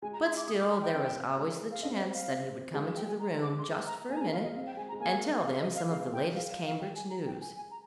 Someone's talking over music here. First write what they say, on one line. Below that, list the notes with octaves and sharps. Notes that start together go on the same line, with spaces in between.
But still there was always the chance that he would come into the room just for a minute, and tell them some of the latest Cambridge news.
G#3 G#5
A#5
C6
D6
G#3 D#6
D6
A#5
G5
C4
G#3
F5
C4 D#5
D#5
F5
C4
G#3 G5
F5
G5
G#5
A#5
D6
C6
D6
A#5
A#3 G#5
A#5
G#3 G#5
G#3 F5
A#3 D#5
C4 F5
G5
G#3 G#5
A#5
G#3
A#3 G#5
F5
D#5
F5
G#3 F5
G5
F5
F5
F5
G#3 G5
G#5
A#5
G5
G#5
G#5
A#5